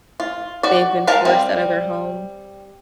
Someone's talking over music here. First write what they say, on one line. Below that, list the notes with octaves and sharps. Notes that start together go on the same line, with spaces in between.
they've been forced out of their home.
F4
F#4 D5
G#3 A#4 F5 A5
G3 C4